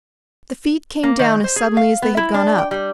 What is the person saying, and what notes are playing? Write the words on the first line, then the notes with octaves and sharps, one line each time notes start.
The feet came down as suddenly as they had gone up.
A#3
D#3
C5
G#4
F5
B3
E4
D4
G5
G3